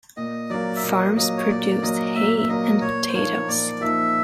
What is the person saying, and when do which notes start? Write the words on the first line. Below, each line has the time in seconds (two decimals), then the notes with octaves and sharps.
Farms produced hay and potatoes.
0.17 A#2 D#5
0.50 F#3 A#3 D5
0.76 E5
0.83 A#2 D#5
1.16 F#3 A#3 D#5
1.37 C#5
1.49 A#2 D5
1.82 F#3 A#3 D#5
2.15 A#2 E5
2.38 E5
2.48 F#3 A#3 D#5
2.81 A#2 C#5
3.08 C5
3.14 F3 A#3 D#4 C#5
3.48 A#2 D5
3.81 F3 A#3 D#4 E5